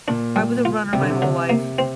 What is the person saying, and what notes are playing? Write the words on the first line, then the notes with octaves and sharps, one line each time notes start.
I was a runner my whole life.
A#2 D4
G3
F4
C3 G3
D3
C3
D3
A#3
C4